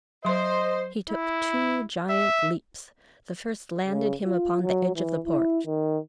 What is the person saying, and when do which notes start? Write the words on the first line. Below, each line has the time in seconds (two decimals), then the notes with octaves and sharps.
He took two giant leaps. The first landed him upon the edge of the porch.
0.25 F#3 C5 D#5 C6
1.10 E4
2.10 E5
3.88 C#3
4.24 F4
4.63 F#3
4.96 E3
5.26 E4
5.66 D#3